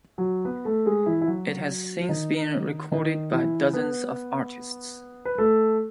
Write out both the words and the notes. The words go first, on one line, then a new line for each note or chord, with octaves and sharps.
It has since been recorded by dozens of artists.
F#3 F#4
B3 B4
A3 A4
G#3 G#4
E3 E4
E4
F#3 F#4
D#3 D#4
D#3 D#4
E3 E4
B3 B4
B4
A3 A4